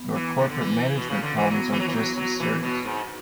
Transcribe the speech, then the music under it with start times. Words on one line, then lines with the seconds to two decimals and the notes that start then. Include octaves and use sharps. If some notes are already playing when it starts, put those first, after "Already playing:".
Your corporate management problems are just as serious.
Already playing: B3
0.15 E3
0.37 D3
0.50 D3
0.61 E3
0.96 B2
1.10 C#3
1.22 D3
1.36 E3
1.51 F#3 B3
1.72 E3
1.80 F#3
1.88 E3
1.95 F#3
2.17 F#3
2.40 E3
2.63 B2
2.85 G#2